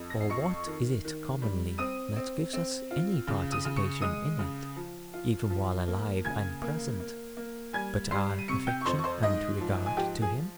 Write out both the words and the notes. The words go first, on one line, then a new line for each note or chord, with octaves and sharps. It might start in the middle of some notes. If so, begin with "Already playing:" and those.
Or what is it commonly, that gives us any participation in it, even while alive and present, but our affection and regard to him?
Already playing: F2
A#6
C7
F2 C#6 C#7
D#3
D#3
G3
C4 D#6 D#7
C4
C4
F4
C#3
D#6 D#7
C#3
C#6 C#7
G#3 D#6 D#7
C#3
F3
F4
F3
A#3
C#3 G#5 G#6
A#3
A#3
A#3
G3 G#5 G#6
G3 C6 C7
D#7
C3 C#6 C#7
G5 G6
C#6
F2 C5 C6
C#6
C5 C6
G#2 D#5
F3
G#5
F3 G4 G5
G#4 G#5